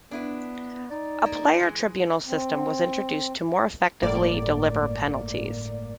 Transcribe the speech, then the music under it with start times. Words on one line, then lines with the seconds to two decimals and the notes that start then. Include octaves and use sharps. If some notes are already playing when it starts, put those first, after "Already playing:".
A player tribunal system was introduced to more effectively deliver penalties.
0.11 B3 D4 E4 B4
0.90 D#4 D5
1.26 A#3
1.60 E3 G#3
2.27 C4
4.02 G1 A2 A#3 D5